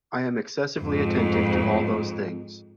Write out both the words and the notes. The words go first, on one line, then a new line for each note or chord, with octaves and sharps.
I am excessively attentive to all those things.
F2 G#2